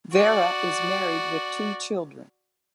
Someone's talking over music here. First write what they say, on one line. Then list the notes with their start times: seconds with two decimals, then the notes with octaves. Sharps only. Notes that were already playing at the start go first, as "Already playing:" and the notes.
Vara is married with two children.
0.13 F#4 D5